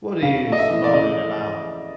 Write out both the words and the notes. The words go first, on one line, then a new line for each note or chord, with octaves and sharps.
What are you smiling about?
C#3 F5
A3
D#5
E5
E3
D5
C#3 D#5